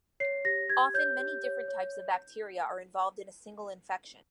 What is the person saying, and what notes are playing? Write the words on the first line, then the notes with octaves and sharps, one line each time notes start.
Often many different types of bacteria are involved in a single infection.
C#5 C7
G4 A#6
G4 G#6
C#5 G6
G4
C#5
C#5
C#5